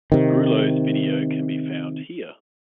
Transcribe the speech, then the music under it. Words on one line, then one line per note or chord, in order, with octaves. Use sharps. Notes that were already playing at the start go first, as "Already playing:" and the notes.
Brulo's video can be found here.
C3 D#3